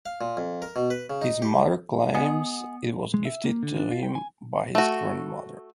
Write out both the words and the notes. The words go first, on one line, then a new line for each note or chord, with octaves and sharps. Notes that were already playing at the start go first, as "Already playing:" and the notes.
His mother claims it was gifted to him by his grandmother.
F5
A#2
F2
A#4
B2
B4
C#3
D#4
G4
G#3 B3 G#4
G#3
E5
A#3
D3
D4
F4
G5
G#5
A3 F#4